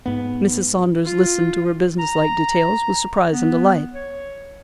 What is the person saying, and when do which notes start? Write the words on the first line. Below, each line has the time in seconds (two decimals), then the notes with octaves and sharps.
Mrs. Saunders listened to her businesslike details with surprise and delight.
0.06 G#2 B3
1.05 F4
1.99 A#5
3.32 B3
3.93 C#5